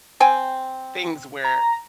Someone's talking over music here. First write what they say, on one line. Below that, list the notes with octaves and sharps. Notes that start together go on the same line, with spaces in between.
things where
C4 G5 G#5
A#5